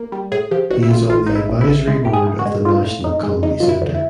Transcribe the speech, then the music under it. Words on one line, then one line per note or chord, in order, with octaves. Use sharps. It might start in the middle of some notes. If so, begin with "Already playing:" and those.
He is on the advisory board of the National Comedy Center.
Already playing: A#3
G3
A2 G#4
F3 G4
A1 F#4
E4
A1 F4
A1 F4
A1 D#4
E4
A1
E4
A1
G#3 E4
A2 G4
G#4
A2
F#4
G#3
A2 F4
A2
A2 D#4
G#3
C#3 D#4
F#3 F4
E4
D2
E4